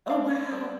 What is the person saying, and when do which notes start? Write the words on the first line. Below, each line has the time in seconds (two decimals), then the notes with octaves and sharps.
Oh, wow.
0.10 E3 B3 D4 F5
0.52 G3 B3 D4